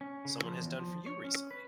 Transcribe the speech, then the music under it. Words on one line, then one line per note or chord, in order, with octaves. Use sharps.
someone has done for you recently?
C#4
C#3
F3
E2
F3
C#5
C#4
B4